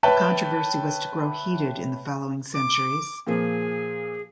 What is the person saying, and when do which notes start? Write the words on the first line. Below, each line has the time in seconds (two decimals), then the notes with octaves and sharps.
The controversy was to grow heated in the following centuries.
0.03 B4 C#5 E5 G5 A5 B5
2.54 D6
3.27 A#2 F3 A#3 G#4